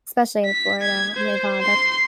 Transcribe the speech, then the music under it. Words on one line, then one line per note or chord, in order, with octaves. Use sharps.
Especially in Florida, oh my God, that
B6
G#6
C5
C6